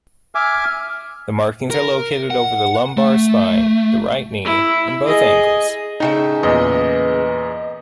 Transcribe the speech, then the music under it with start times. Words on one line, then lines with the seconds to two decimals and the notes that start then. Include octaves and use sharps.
The markings are located over the lumbar spine, the right knee, and both ankles.
0.35 E5 G#5 D6 F6
1.71 A#4
2.30 F#5
2.97 A3
4.44 E4
5.06 G#4 D#5
6.00 A2 C#3 D#4 E5
6.43 E2 A#2 B4 D#5